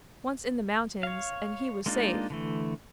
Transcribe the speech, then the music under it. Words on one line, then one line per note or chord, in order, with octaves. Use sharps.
Once in the mountains and he was safe!
C#5 F5
G#3 A#3 D4 D#4 F4
D3 E3 A3